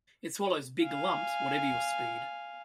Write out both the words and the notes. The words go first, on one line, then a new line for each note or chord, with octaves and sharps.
It swallows big lumps, whatever your speed.
F5 G#5